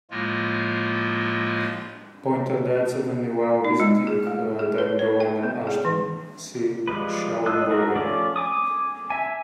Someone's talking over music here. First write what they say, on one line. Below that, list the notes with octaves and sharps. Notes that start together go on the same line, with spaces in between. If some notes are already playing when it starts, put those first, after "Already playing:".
Poynter died suddenly while visiting then Governor Ashton C. Shallenberger.
A2 F3 G#3 A#3 F4
D#4
G#3
G#4
A3
G#4
B4
C#5
G5
B3
G#4
E3
F3 G3 G#3 B4
F4 D#5 D#6 E6 F#6
A3 F#4 A#4
F3 A3 C#4 F4 D5
G#5 D6 D#6
E5 G#5